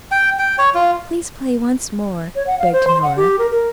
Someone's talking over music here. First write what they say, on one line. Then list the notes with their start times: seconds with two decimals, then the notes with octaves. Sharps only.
"Please play once more," begged Nora.
0.12 G5
0.39 G5
0.58 C#5
0.75 F4
2.36 C#5
2.47 F#5
2.59 F5
2.73 C5
2.87 C6
3.03 F#5
3.17 G4
3.39 A#4
3.51 A#4